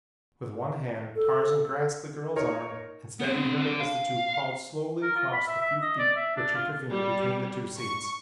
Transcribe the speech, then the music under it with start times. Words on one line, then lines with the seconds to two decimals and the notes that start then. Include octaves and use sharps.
With one hand Tarzan grasped the girl's arm and steadied her as the two crawled slowly across the few feet which intervened between the two seats.
1.16 A4
2.36 D#4 A#4 C#5
3.20 B3 C4
3.61 D4 A4
3.80 F5
5.02 A#4
5.16 F4
5.33 B5
5.47 E5
5.61 E5
5.82 D#5
5.99 D5
6.16 E5
6.36 D4
6.55 F4
6.91 G3
7.77 C#6